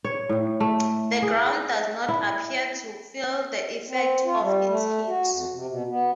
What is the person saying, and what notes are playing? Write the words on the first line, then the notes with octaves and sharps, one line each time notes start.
The ground does not appear to feel the effect of its heat.
C#5
A2
A3
G#4
E4
C4
F4
G3
A3
F#4
F2
C3
B2
B3